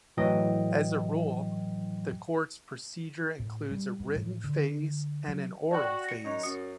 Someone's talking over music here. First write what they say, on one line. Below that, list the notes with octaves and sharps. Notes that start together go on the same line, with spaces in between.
As a rule, the Court's procedure includes a written phase and an oral phase.
A2 E3 F#3 D#5 G5
A2
G3
G2
A2
D3
F#3
F#4 D5 G5
A#6 C#7
F#2 D#4 C#5
F#2 D#6 C#7